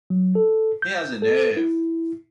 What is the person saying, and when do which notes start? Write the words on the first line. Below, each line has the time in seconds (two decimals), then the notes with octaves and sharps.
He has a nerve.
0.10 F#3
0.35 A4
0.82 G6
1.22 A4
1.57 E4